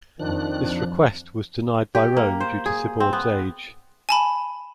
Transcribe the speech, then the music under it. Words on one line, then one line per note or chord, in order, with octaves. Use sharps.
This request was denied by Rome due to Sibourd's age.
F2 D#3 F3 D4 F#6
G4
A#3
C5
G#4
C4
B3
G#5 A5 B5